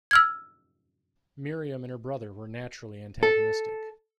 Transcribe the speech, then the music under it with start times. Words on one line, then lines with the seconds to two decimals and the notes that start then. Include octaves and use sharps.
Miriam and her brother were naturally antagonistic.
0.11 E6 F6 G#6
3.23 A4